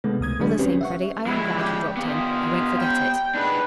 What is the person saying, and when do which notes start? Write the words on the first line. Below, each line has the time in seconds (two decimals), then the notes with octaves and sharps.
"All the same, Freddy, I am glad you dropped in: I won't forget it."
0.04 C3 D#3 G#3 A3 B3
0.20 C#2 B2 D#6 G#6
0.40 D3 F#3 G#3 D4
0.59 C4 C#4 G4 B4
0.81 E5 F#5 C#6
1.26 F3 G#3 E4
1.57 G3 G4
1.97 A#3 B3 D#4 F4 G4
2.77 G3 G5
3.35 D4 D#4 G#4 B4